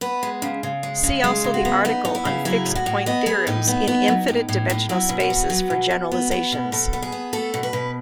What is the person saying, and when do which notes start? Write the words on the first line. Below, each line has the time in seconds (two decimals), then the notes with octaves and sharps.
See also the article on fixed point theorems in infinite-dimensional spaces for generalizations.
0.01 B3 B4
0.23 G#3
0.42 C#3
0.63 C#3
0.83 G#3
1.03 C#3
1.24 G#3 G#4
1.44 C#3
1.54 F#4
1.65 B3
1.85 B3 D#4
2.05 B3
2.15 E4
2.25 C#3
2.45 F#3 E4
2.66 A2
2.75 F#4
2.86 A2
3.06 B3 D#5
3.26 B3 G#4
3.47 A2 D#4
3.67 B3
3.88 B3
4.08 F#3
4.28 A2
4.49 A2
4.70 A2
4.89 F#3 E4
5.09 B2
5.20 F#4
5.30 B3
5.50 F#3
5.70 B2
5.91 B2
6.12 B3
6.31 B3
6.52 B2
6.72 B2 A4
6.93 B3
7.02 G#4
7.12 B3
7.33 A3 A4
7.54 B2
7.63 B4
7.73 B2